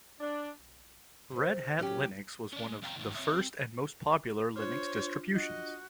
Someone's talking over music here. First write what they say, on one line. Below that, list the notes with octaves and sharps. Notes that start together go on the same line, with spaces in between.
Red Hat Linux was one of the first and most popular Linux distributions.
D4
C3 D#3
F#3 C#4 G4
C#4 D5
G#3
F2 C3 F5 G5 A5 A#5
G#2 B2 D#3
C4 C#5 E5
C4
D4 F4 C5 C#5
F#4 D#5